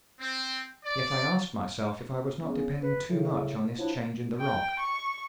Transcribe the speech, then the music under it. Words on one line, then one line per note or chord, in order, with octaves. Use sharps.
Yet I asked myself if I was not depending too much on this change in the rock.
C4
D5
C#3 B3
B4
A2 C#3
F3 F#3 D4 E4
G5
C#6